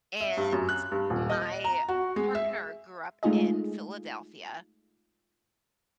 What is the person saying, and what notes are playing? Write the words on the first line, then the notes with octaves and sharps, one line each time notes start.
and my partner grew up in Philadelphia,
E5
G2
F#2
F#6
G2
D#1
D#5
A#5
F#4
G#3
E5
G#3 A3 D#4 F4 G#4 D#5